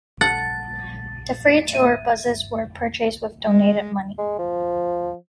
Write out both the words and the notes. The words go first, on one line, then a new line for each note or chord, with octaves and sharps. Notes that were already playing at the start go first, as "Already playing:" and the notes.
The three tour buses were purchased with donated money.
F#5 A5 A6
E5 D#7
G#3
G#3
F3